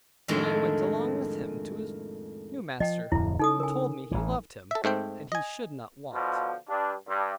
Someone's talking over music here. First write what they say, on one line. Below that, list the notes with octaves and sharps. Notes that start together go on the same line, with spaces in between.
Then I went along with him to his new master who told me he loved him, and he should not want.
F2 A2 D#3 G#3 A3 D4
F3 D#5 G5
D1 F2 E4
C#3 D#4 A4 D#6
A#4 G#5
A1 E3
A4 E5
G#2 A3 C4 G5
D#5 G#5
B2 D3 F3
G2 D4
G2